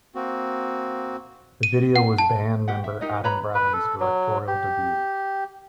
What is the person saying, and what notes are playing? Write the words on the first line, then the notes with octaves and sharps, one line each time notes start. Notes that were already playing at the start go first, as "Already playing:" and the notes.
The video was band member Adam Bravin's directorial debut.
A#3 C4 F#4
D#7
F#5
A5
G4 F#5
E5
D#4 G4 A#4 D#5
B4 C#5 A#5 B5
B4
A4
F#3
G4